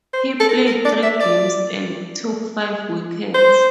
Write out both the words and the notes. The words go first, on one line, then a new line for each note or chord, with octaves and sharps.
He played three games, and took five wickets.
C5
A4
A#4
A4
A#4
D5
E5
D5
C5